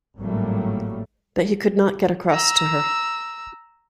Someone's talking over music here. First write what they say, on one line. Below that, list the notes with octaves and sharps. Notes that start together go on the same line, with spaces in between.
But he could not get across to her.
G#1 A2 F#3 G3 A3 A#3
A#5 E6